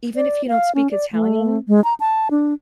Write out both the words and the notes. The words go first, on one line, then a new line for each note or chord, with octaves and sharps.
even if you don't speak Italian
D5
F5
C#4
D5
A3
G#3
A#5
A5
D4